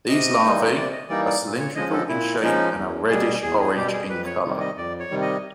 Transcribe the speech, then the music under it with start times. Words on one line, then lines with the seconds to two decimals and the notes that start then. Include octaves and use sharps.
These larvae are cylindrical in shape and are reddish orange in color.
0.09 C3 D#5
0.42 E3 G3 A#3 D#4
0.75 C3 D5
0.92 D#5
1.08 E3 G3 A#3 D#4 D5
1.26 D5
1.43 A#2
1.60 C#5
1.76 F3 G#3 C#4 D#5
1.93 A4
2.09 A#2 E4
2.42 F3 G#3 C#4 D#4
2.76 E2
3.09 B2 G3 G#4
3.43 E2 G#4
3.60 G#4
3.76 B2 G3 G4
3.93 G#4
4.09 F2 B4
4.26 C#5
4.44 C3 D#3 G3
4.60 D#5
4.77 F2 D5
4.99 C#5
5.11 C3 D#3 G3
5.22 D#5